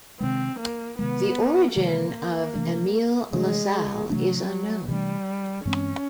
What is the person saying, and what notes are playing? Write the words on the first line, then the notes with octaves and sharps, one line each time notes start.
The origin of Emil LaSalle is unknown.
C3 D#3 G#3 C4
A#3
C3 D#3 G#3 B3
C3 D#3 G#3 A#3
C3 E3 A3 D4
C3 E3 G#3 A3 D4
C3 E3 F#3 A3 D4
C3 E3 G3 A3 D4
G2 E3 G#3 C4 C#4